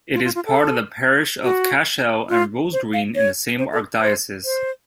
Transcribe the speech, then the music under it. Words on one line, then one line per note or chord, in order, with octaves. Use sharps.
It is part of the parish of Cashel and Rosegreen in the same archdiocese.
F4
F4
F4
A4
F#4
F4
C5
F5
C#5
C5
A4
C5
C5